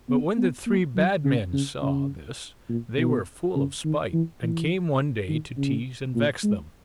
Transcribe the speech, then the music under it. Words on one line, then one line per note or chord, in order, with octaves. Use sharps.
But when the three bad men saw, this, they were full of spite, and came one day to tease and vex them.
B3
B3
A#3
F#3
C#3
C#3
C#3
A#2
B2
C#3
D#3
E3
E3
D#3
C#3
A#2
G#3